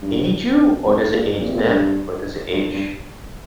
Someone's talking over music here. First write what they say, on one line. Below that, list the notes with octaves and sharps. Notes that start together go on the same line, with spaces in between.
age you? Or, does it age them? Or does it age
G2
F2
A#2
A#2
C3
A#2
G2
G2
G2